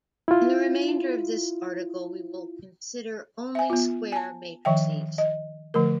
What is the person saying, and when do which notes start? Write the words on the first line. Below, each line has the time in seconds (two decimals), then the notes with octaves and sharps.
In the remainder of this article we will consider only square matrices.
0.28 E4 F4
3.55 E5 G#5
3.70 B3 F4
4.12 G#5 A5
4.65 D#3 F3 E5 G5
5.18 D#5
5.74 D3 F3 A3 A#4